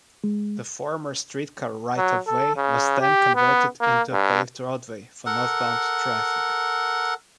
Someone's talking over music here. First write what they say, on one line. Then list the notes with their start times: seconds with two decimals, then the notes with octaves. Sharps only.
The former streetcar right-of-way was then converted into a paved roadway for northbound traffic.
0.24 G#3
1.97 F#3
2.27 A4
2.56 C#3
3.01 G4
3.35 B3
3.81 A#3
4.12 G2
5.26 A4 A#4 F#5